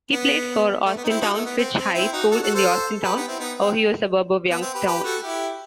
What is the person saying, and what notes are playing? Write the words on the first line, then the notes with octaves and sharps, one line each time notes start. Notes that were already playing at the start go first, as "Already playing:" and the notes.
He played for Austintown Fitch High School in the Austintown, Ohio suburb of Youngstown.
B3
A3
B3
D#4
C4 E4
D#4 F#4
A3
B3
C4
C4
C4 E4
D#4 F#4
F#4 A4
F#4 A4
A4 C5
G4 B4
B3 D#4
C4 E4
B3 D#4
C4
B3
C4
G4 B4
G4 B4
F#4 A4
E4 G4